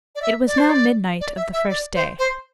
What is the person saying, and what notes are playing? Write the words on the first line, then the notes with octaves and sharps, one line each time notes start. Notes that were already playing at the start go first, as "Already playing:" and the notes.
It was now midnight of the first day.
D5
E5
D5
C5
D5
D5
E5
E5
D5
C5
C5